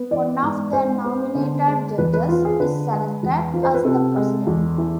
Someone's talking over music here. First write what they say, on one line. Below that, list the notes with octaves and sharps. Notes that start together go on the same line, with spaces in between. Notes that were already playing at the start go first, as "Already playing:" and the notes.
One of the nominated Judges is selected as the President.
Already playing: B3
E3 D5
G#2
G#2 C5
B3
D3
G#3
E2 B4
B4
F3 F4
G#4
D3 B4
G#3
E2
F3
C5
B4
C3 A4
G#3
E2
E3